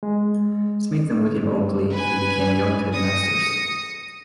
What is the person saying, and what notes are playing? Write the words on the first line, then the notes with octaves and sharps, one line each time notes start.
Smith and William Oakley, who became joint headmasters.
G#3
B4 G#5
D#6 A#6 C#7